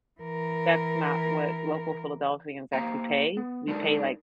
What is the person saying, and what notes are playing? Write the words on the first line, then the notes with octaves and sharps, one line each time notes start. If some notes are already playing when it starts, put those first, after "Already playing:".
That's not what local Philadelphians actually pay. We pay, like,
E3 A#4
A#3 G4 C5 F5 A#5
B3
G#3 D4 D#4 A4 A#4